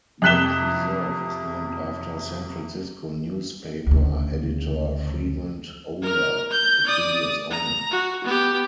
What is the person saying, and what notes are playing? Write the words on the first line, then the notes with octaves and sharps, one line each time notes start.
The preserve is named after San Francisco newspaper editor Fremont Older, a previous owner.
F2 C3 F#6 B6 E7 G7
D2 C#3
A#4 F6
G6
D5 D#6
A#5
F#4
B3 G4